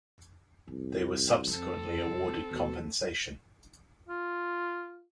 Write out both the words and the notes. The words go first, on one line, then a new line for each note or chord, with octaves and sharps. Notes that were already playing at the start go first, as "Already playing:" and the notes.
They were subsequently awarded compensation.
C2 F2
F2 C4 A4
C2
D#2 B2 F3
F4